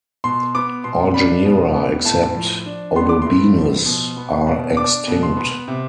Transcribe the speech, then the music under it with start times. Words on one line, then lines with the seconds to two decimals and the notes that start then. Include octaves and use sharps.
All genera, except "Odobenus", are extinct.
0.24 B2 C6
0.55 B3 D6
0.84 B2 C6
1.14 D4 B5
1.45 B2
1.75 B3
2.05 A2 A5
2.36 F3
2.66 D4
2.96 B3 C6
3.09 D6
3.22 A2 C6
3.57 F3
3.86 B2
4.17 B3
4.47 B2
4.77 D4 D6
5.07 B2
5.23 C6
5.37 B3
5.68 C3